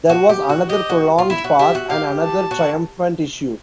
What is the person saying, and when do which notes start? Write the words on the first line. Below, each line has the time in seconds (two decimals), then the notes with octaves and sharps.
There was another prolonged pause and another triumphant issue.
0.09 F#4
0.29 G4
0.49 F#4
0.70 G4 D#5
0.90 F#4
1.19 F4
1.30 E4 E5
1.44 F#4
1.59 G4 E5
1.75 F#4
1.90 G4 F5
2.20 A5
2.51 F#4